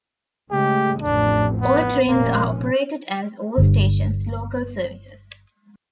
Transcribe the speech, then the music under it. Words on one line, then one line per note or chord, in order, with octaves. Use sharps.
All trains are operated as all-stations "Local" services.
C#3 G#3 A3 G4
A1 F2 A2 D4
B3
F1 A#2 A#3 C#4
G1 G2